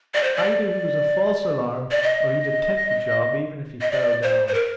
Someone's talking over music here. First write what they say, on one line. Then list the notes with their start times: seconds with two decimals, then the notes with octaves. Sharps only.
Either he was a false alarm, or he'd attempt the job even if he fell down.
0.14 D5
0.24 C5
0.36 D5
1.91 D5
2.03 D#5
3.81 D#5
3.92 D5
4.23 C5
4.48 C5
4.54 A#4